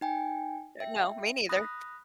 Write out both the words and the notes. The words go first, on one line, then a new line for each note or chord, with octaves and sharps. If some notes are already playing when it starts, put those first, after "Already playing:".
Uh, no, me neither.
D#4 G5 G#5
E5 G5
B5 D#6 F#6 A#6